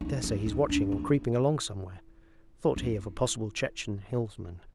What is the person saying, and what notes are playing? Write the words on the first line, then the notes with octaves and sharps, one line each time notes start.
'I daresay he's watching or creeping along somewhere,' thought he of a possible Chechen hillsman.
D#4
E4
D#4
D4
E4
E4